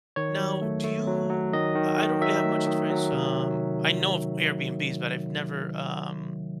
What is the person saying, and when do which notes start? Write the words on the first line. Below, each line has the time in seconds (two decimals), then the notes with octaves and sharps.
Now, do you I don't really have much experience, um, I know of Airbnbs, but I've never, um,
0.16 D#3 C#5
0.39 F#3
0.62 A3
0.84 A3
1.07 F#3
1.30 F#3
1.53 D#3 D#5
1.75 D#3
1.98 D#3
2.21 F#3 E5
2.44 A3
2.66 D#3
2.90 F#3
3.13 C3